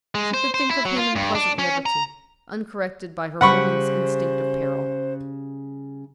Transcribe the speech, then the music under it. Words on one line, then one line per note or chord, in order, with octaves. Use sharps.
She could think of him in pleasant liberty, uncorrected by her woman's instinct of peril.
G#3
C5
C5
E4
F#3
F4
G2
D4
C#4
A#5
C#3 G3 C5 F#5 B5 C#6